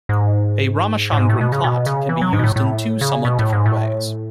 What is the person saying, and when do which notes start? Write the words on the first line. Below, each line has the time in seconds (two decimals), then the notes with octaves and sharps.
A Ramachandran plot can be used in two somewhat different ways.
0.09 G#2
1.13 A2
1.18 G#2
1.29 A2
1.41 B2
1.52 C#3
1.64 B2
1.86 C#3
2.09 E3
2.22 F#3
2.33 G#2
2.39 B2
2.44 A2
2.56 A2
3.01 C#3
3.25 B2
3.39 A2
3.53 G#2
3.66 A2